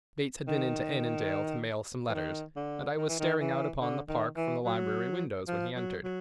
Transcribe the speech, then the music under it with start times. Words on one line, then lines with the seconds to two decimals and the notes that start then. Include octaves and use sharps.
Bates had been into Annandale to mail some letters, and I was staring out upon the park from the library windows when he entered.
0.47 D#3
2.09 E3
2.14 D#3
2.56 D3
2.98 D#3
3.08 E3
3.20 D#3
3.40 E3
3.81 D3
4.08 D#3
4.36 E3
4.64 F#3
5.48 F3
5.76 F#3
6.03 F#3